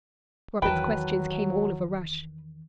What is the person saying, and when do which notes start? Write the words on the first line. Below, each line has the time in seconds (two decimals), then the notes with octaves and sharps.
Robin's questions came all of a rush.
0.62 E2 D#3 F#3 B4 G5 A5